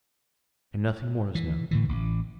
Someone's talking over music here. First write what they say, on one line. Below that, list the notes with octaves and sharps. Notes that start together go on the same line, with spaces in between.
"And nothing more is known?"
E3
A2 D3 E3
A1